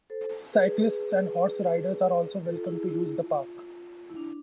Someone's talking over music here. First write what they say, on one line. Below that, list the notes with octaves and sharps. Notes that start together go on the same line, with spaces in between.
Cyclists and horse riders are also welcome to use the park.
A4 C5
G#4 B4
F4 A4
E4 G#4
E4 G#4
E4
F4
E4
D4